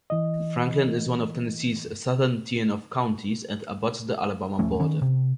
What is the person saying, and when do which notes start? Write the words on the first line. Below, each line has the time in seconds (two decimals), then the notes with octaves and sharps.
Franklin is one of Tennessee's southern tier of counties and abuts the Alabama border.
0.10 E3 D#5
4.59 D#1 F3 A3 C#4
4.80 D#3 C#4
5.02 C3